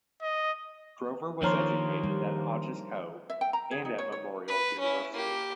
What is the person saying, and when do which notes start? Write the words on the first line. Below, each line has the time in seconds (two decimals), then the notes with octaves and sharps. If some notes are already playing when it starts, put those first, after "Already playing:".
Drover was educated in Hodge's Cove and at Memorial University.
0.22 D#5
1.42 D#3 F3 A#3 D4 A#4 C5 C#5
2.04 G3
3.30 E5
3.41 G5
3.53 A#5
3.71 G#4
3.85 D#4
3.98 C#5
4.12 C#5
4.48 B4
4.79 C#4 E4
5.13 A#3 G4